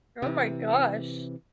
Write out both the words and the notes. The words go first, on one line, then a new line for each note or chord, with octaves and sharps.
Oh my gosh.
C3 E3